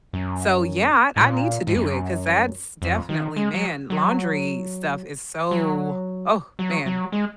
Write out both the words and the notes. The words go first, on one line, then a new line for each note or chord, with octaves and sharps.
so yeah, I I need to do it 'cause that's definitely man, laundry stuff is so oh, man.
F#2
G#2
A#2
G#2
F#2
F2
D#3
G#3
F#3
F#3
F#3
F#3
F#3
G#3